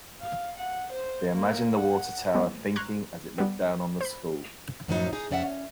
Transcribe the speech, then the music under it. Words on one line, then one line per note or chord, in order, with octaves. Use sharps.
They imagined the water tower thinking as it looked down on the school.
F5
F#5
C5
A#3
F#5
E3 G3 B3
A#5 C6 C#6 F6 F#6 G#6
G3 B3
C5 B5
F#2 A2 F3 F#3 D4 D#4
D#4 G#4
F2 C#4 D5 E5 F#5
C#4